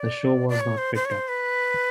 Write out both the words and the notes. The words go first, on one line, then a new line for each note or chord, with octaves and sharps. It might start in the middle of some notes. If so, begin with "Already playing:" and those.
The show was not picked up.
Already playing: D5
D5
C#5
C5
C5
C#5
C5
B4